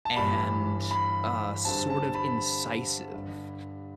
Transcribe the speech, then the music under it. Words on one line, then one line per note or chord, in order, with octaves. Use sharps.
and, uh, sort of incisive,
A5
G1 G2 E3 G3 B5
B5
G2 D3 G3 C4 A5
A5
B5
G2 D3 G3